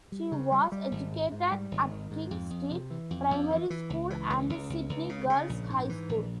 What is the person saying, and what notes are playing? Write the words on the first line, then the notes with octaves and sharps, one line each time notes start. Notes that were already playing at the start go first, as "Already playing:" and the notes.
She was educated at King Street Primary School and Sydney Girls High School.
G3
C#3
G3
G3
G#1
G#2
G#2
G3
G#1
D#3
G#2
F2
F2
C3
E3
F2
F2
E3
E3
C#2
E3
C#2
C#2
C#2
C#2
C#3
C#3
A#1
G#2
E3
A#1